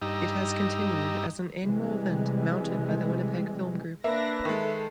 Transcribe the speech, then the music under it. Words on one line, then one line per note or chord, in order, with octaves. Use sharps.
It has continued as an annual event mounted by the Winnipeg Film Group.
G2 D#4 G4 D#5 A#5 E6
C3 E3 G3 G#3
A#3 D4 B4 E5 A#6
D#3 G#3 A4